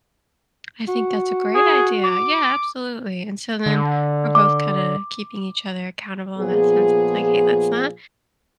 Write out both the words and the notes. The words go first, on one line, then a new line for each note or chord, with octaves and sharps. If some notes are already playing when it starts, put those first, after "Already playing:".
I think that's a great idea yeah, absolutely, and so, then we're both kinda keeping each other accountable in that sense. It's like, "Hey, let's not
F#4
G#4
D6
D3
D6
A#2 F3 B3 G#4